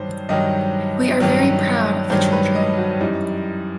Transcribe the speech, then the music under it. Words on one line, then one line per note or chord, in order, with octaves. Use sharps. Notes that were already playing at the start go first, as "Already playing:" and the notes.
We are very proud of the children.
Already playing: G2 D#3 F#3 C5
G2 D#3 F#3 D#5
G2 D#3 F#3
G2 D#3 F#3 C5
B4
D#5
F#4
F#2 E3 G3 D#4